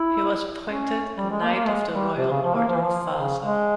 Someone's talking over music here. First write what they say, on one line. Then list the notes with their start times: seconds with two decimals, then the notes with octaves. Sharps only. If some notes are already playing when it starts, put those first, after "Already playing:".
He was appointed a Knight of the Royal Order of Vasa.
Already playing: E4
0.68 C#4
1.18 G3
1.30 G#3
1.43 A#3
1.55 A#3
1.67 G#3
1.93 G3
2.17 C3
2.30 C#3
2.43 F3
2.54 A#3
2.68 F3
2.75 E3
2.82 F3
3.18 C#3
3.42 G#3